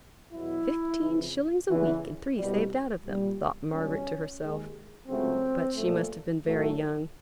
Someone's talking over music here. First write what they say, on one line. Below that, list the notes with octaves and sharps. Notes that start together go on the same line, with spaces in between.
'Fifteen shillings a week, and three saved out of them!' thought Margaret to herself 'But she must have been very young.
E2 B2 F#3 E4
F2 C#3 E3
E2 C#3 E3
C2 B2 G3
A#2 G3
C#2 B2 G3 C#4
D#2 D#3 G#3
C#2 C#3 F#3 A3 C4
A#2 F3 A3
A2 F#3 A3